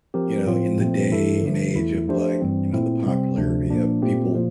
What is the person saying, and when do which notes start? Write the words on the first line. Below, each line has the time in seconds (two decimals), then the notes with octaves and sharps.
you know, in the day and age of, like, you know, the popularity of people
0.14 F3 C4 G4 A#4
0.46 A2 F3 C4 F4
0.78 A#2 F3 A3 C4
1.12 G2 E3 A3 E4 A4
1.43 D3 F3 A3
1.76 E2 E3 A3 E4
2.08 F3 A3 D4 G4 C5
2.41 G2 E3 G3 C4
2.73 A#2 A3 C4 E4
3.05 C3 G3 C4
3.38 D2 C3 F3 A3 D4
3.70 A#2 F3 A#3 D4
4.02 A#2 A3 C4 G4
4.34 A#2 F3